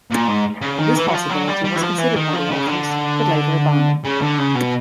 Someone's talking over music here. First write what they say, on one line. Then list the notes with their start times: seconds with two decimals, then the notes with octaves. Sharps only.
This possibility was considered by the authors but later abandoned.
0.10 A#2
0.27 G#2
0.61 C#3
0.78 D#3
0.96 E3
1.08 F#3
1.13 F3
1.30 F#3
1.48 G3
1.64 G3
1.76 E3
1.81 F3
1.98 E3
2.16 D#3
2.33 F3
2.50 C#3
2.66 D3
4.05 C#3
4.22 D3
4.38 C#3
4.55 B2